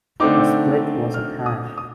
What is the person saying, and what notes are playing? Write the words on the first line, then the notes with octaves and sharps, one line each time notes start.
A split was at hand.
D3 A3 C4 D#4 D6
F6
D#6
D#6